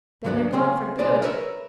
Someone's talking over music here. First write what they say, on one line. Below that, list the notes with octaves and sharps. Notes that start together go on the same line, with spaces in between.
"Then they are gone for good."
D2 G#2 F#3 B3 D4
C#3 A#3 C4 G#4 G5
B1 C#3 D4 G#4 C5 D5
A#4 B4 C#5 E5